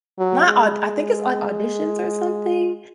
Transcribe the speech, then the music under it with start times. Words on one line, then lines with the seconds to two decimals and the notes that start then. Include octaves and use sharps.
not au I think it's, like, auditions or something?
0.19 F#3
0.47 G#3